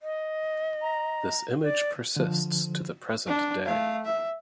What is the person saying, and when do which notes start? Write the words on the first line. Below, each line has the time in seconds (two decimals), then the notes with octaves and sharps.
This image persists to the present day.
0.01 D#5
0.82 A#5
1.63 D5
2.16 D3 F3
3.27 D4
3.65 A3 F5
4.05 E5